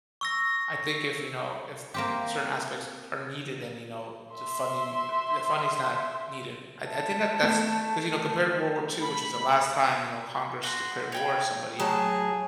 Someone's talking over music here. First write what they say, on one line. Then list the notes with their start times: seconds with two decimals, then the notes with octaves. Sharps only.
I think if, you know, if certain aspects are are needed, then, you know, the funding uh, the funding is not needed. I I think that that's 'cause, you know, compared to World War II, which is the last time, you know, Congress declared war on somebody,
0.21 C#6 E6 A#6
1.94 A#3 C4 G4
4.34 E5 C6
6.85 A5
7.42 A3
9.01 B5
10.63 F#4 C6
11.12 C#5 G5 B5
11.79 A2 F#3 G#4 A5